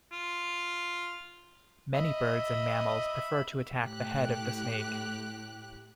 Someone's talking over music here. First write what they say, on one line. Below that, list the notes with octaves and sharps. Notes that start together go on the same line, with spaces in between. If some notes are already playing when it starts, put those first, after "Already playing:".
Many birds and mammals prefer to attack the head of the snake.
F4
D#5 E5 B5
A2 G4 F#6